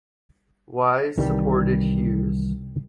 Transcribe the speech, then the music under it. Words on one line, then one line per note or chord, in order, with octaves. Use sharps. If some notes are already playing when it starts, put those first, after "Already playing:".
Wise supported Hughes.
C2 D#3 E3 G3